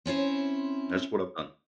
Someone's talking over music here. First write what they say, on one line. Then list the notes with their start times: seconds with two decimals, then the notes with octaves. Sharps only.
That's what I've done.
0.06 C4 C#4 E4 C5